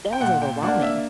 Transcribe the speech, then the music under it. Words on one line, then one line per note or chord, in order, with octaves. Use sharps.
that was overwhelming.
G5
A#2 F#5
G5
A#3 D4 F#5
E5